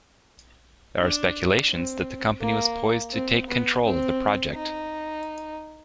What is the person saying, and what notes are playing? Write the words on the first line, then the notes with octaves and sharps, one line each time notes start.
There are speculations that the company was poised to take control of the project.
D4
C4
A#3
C4
B3
C4
D#4